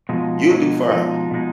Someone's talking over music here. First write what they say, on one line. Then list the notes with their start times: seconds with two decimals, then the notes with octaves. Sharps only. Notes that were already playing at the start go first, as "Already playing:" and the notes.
you'll do fine.
0.09 B2 F3 G#3 D#4
0.49 B2 G#3 D#4
0.90 B2 F3 G#3 D#4
1.31 B2 G#3 D#4